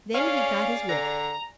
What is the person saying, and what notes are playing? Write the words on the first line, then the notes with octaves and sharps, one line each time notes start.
Then he got his whip.
C#4 G#4 D5 F5
D3 A#5